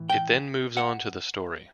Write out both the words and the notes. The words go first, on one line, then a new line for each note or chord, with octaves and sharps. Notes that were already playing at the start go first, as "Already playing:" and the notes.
It then moves on to the story.
Already playing: A2 E3
G5
F#5